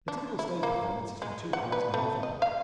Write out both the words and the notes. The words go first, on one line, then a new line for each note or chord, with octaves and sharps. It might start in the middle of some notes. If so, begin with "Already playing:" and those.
The typical stage performance is from two hours and a half upward.
D4
E4
A#3
G#3
F#5
B4
A3
D#5
F5